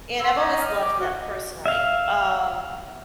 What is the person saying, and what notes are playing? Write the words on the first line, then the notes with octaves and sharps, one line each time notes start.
And I've always loved them, personally. Um,
F5 B5 C6 E6
C#4 D#4 D#5
D#5 F6
D6
F#4
D#5
E5 F5